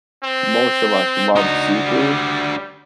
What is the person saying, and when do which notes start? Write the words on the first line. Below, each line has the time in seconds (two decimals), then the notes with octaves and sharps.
most of us love seafood,
0.24 C4
1.35 D4 D#4 F#4
1.87 G3